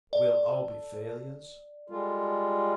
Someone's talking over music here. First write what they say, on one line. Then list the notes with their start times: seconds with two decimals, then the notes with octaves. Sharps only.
"We'll all be failures?"
0.13 A4 D5
1.90 G3 G#3 F4 A4